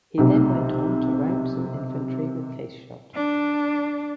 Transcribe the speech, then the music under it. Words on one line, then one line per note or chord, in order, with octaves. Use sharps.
He then went on to rout some infantry with case shot.
B1 C3
D4